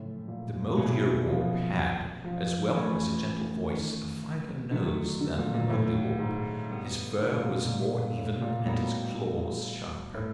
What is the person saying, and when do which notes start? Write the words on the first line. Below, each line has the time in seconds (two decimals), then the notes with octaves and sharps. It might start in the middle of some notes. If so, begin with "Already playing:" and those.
The Mouldierwarp had, as well as a gentle voice, a finer nose than the Mouldiwarp, his fur was more even and his claws sharper.
Already playing: F#2 A2 C#3 F3 A3
0.28 A#2
0.77 B2 F#3 A#3 C#4 E4
1.27 F3
2.24 F3
2.74 E3 A3 C#4 F4 G#4 B4
3.73 D#3
4.71 D3 D#3 F#3 A3 D4
5.21 D3
5.37 A#2
5.54 A#2
5.70 A2
6.19 G#2
6.69 G2 D3 G3 B3
7.18 G#2
7.27 B2
7.35 A#2
7.51 B2
7.67 A#2
8.17 A2
8.41 A#2
8.65 A2 G3 B3 D#4 F#4 A#4
10.14 A2